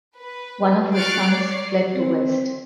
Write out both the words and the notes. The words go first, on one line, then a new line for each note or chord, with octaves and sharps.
One of her sons fled to West.
B4
C#6 F6 F#6 A6 C7 D7
C#5 D5 C7
C4